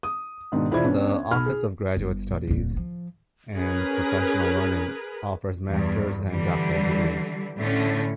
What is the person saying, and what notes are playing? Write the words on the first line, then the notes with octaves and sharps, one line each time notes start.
The Office of Graduate Studies and Professional Learning offers master’s and doctoral degrees.
D#6
G#2 B2 D#3 D4
E1 E4 F4 C5 D5 G#6
B3 C#4 D4
B1 B5 F6
G#4
G1
A#2
D#1 A#2
F3
C#4 G#4 A#4 B4
E2 G2
D3 E3 G3
A2 D3 A3 C#4